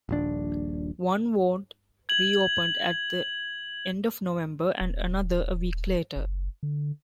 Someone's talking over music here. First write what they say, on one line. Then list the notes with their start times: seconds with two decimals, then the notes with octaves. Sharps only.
One ward reopened at the end of November and another a week later.
0.09 D#1 A#1 D4
2.09 G#6 F#7
4.81 D#1
6.16 F#1
6.63 D3